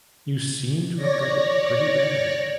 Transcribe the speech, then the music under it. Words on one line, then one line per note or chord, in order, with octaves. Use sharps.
You seem to have got it pretty bad.
C#5 D5 A#6